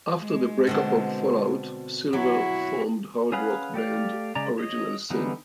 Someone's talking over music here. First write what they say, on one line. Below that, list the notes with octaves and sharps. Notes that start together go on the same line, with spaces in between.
After the breakup of Fallout, Silver formed hard rock band Original Sin.
G#3
B2 D3 C4
F#3 E4 F#4
C#4 G#4 B4 F5 F#5
A3 G4 D5 F5
C#3 G#3 D5 A#5
C#5 D#5
D3 E3 G3 B3 D#4